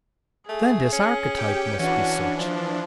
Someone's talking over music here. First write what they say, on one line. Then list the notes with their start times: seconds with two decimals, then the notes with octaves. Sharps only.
'Then this archetype must be such.'
0.49 A3 G#4
0.92 C#4
1.37 G4 G5
1.79 E3 C#4 D4 F#4
2.38 F3